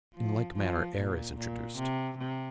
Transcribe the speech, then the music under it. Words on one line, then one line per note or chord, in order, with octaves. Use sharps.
In like manner air is introduced.
F3
F3
A#2
A#2
C3
C3